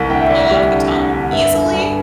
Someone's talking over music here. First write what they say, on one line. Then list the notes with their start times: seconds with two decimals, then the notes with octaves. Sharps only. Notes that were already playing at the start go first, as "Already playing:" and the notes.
flow off the tongue easily
Already playing: C2
0.10 D2 G5
0.20 E5
0.30 D2 D5
0.39 E5
0.51 G3
0.72 D3
0.92 D2
1.12 D3
1.32 G2 E5
1.53 G1
1.74 G2